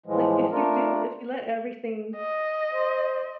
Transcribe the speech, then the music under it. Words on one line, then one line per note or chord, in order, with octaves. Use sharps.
like if you do if you let everything
A2 E3 F3 G#3
A3 D4 F4 A#4
D#5
C5